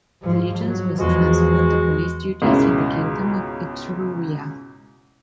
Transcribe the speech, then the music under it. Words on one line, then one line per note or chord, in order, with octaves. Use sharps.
The Legions was transferred to police duties in the Kingdom of Etruria.
G#2 F3
F#3
E2 F3 G#3 F#4
C#2 G#2 B2 C#4 E4